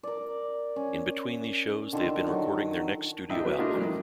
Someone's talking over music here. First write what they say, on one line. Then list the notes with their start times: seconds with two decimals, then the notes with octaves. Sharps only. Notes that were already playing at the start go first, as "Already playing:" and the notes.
In between these shows they have been recording their next studio album.
0.03 A#4 D5
0.76 C#4
1.93 D3 D#3 F4 A4
2.26 D#3 F#3
3.29 A1 D4 D#5 E5 G5
3.44 F#3 B3
3.58 A3 D4 F4 F#4 A#4 D#5
3.74 A#1 G2 A#2 F3 G#3
3.87 D#3